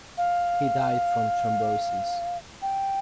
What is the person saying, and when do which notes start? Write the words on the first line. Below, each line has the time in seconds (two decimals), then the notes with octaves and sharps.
He died from thrombosis.
0.18 F5
2.62 G5